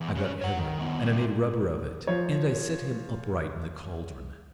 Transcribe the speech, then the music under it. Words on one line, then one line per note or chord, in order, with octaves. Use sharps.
I got heather and I made a rubber of it, and I set him upright in the caldron.
E2
C#3 C#4
C#5 F#5
D#3
D#3 B3
G2 C3
F3 C#5